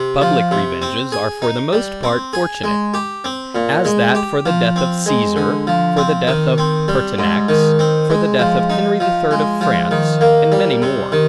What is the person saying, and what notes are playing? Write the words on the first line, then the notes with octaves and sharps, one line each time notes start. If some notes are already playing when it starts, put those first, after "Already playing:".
Public revenges are for the most part fortunate; as that for the death of Caesar; for the death of Pertinax; for the death of Henry the Third of France; and many more.
Already playing: C3
F3
C3
C4
G#4
D#4
G3
C4
G#4
G#3
G4
C4
A#2
G#3
G4
F3
C4
G#3
D3
F3
C4
D#3
C4
G3
G#2
D#3
C4
G#3
F3
D#4
F3
G#3
F3
D#3
A#3
G3
C3
D#3